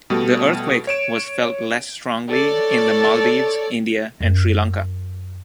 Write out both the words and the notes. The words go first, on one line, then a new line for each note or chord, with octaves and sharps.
The earthquake was felt less strongly in the Maldives, India, and Sri Lanka.
B2 G3 A3
C#5 D7 E7
A4 C#5 D5
F#2 E4